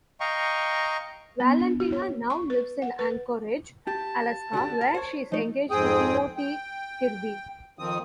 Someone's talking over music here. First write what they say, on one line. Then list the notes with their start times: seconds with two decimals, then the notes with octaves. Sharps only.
Valentina now lives in Anchorage, Alaska, where she is engaged to Timothy Kirby.
0.20 D#5 F5 G5 A#5 C#6
1.40 B3
1.59 D4
1.80 F#4
1.92 C#5
2.30 C#6
2.50 B4
2.82 F#5
2.99 B4
3.87 G4 A5
4.53 D3 F#4 G4
4.81 A#4
4.94 C5 C#5
5.32 F3 A3 D#4
5.71 F2 G#2 C4 G#4 G5 D#6
6.37 G5
7.79 F2 D#3 F3 C4 D#6